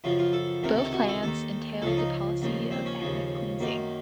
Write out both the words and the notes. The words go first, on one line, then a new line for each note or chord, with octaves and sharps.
Both plans entailed the policy of ethnic cleansing.
F#2 C#3 F3 F4
F4
A4
C#2 C3 D#3 A#4
A4
F#4
A4
D#2 D#3 A4
C#2 C#3 F3 A4
D#4
D#2 C#3 F3
C4
C#4
D#2 C#3 F3
F#2 D#3 A#3